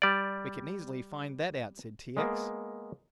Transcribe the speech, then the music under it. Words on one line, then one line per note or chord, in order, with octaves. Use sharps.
"We can easily find that out," said T. X.
G3 D5
G#3 A#3 B3